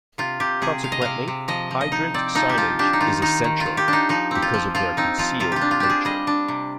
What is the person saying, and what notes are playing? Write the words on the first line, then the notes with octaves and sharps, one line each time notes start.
Consequently, hydrant signage is essential, because of their concealed nature.
C3 F4
C3 G4
C3 G#4
C3 F5
D#5
C3 F5
C3
F3 D#5
F3
D#5
D#4
C4 D5
F3 D#4
G4
F3 F4
D4 G4
D#4
D#3 F4
D#3 D#4
D#3
F4
D#3
G4
D4
D#4
F3 D#4
C4 G4
F4
F3
F3 F4
C4 D#4
F3 F4
C3 F4
F4 G4
D4
F4
D4 G4
G#4
G3 D#5
D4
C3